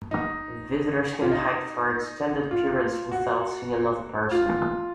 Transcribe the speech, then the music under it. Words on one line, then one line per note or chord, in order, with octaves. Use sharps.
Visitors can hike for extended periods without seeing another person.
D#4
F4
D#4
F4
F#4
F4